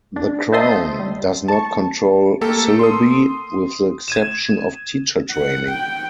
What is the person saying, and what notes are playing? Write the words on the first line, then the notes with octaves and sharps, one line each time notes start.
The crown does not control syllabi, with the exception of teacher training.
D4
C5 D#5 E5 A5 C6 D#6
G3
A5 C#6
A3 A#3 G4 A4
C6 D#6
G#6 D#7 E7
F#5
G5